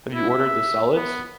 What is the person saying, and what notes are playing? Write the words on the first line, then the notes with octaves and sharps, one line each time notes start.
Have you ordered the solids?
E4
E5
B3